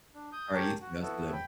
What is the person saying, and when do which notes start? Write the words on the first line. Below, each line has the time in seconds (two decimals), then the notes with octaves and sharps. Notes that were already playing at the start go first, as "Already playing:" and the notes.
Alright, you too, I'll see you later.
0.15 D4
0.32 D#6 G6
0.54 C#4 G4 A#4 C#5 G5 A5
0.81 F#4
1.02 B3 E4 F#4 A4
1.33 G5 B5